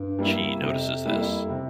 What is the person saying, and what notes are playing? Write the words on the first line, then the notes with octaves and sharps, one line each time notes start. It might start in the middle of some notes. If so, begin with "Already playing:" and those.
Chee notices this.
Already playing: G2
G3 A#3 E4
F2 C3
F2 G3 A#3 E4
C3